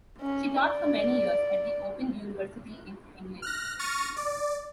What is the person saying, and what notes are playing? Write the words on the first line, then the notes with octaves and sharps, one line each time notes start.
She taught for many years at the Open University in England.
C#4
D5
F6 F#6 A#6
C#6 F6 A6 A#6 C#7 D#7
D5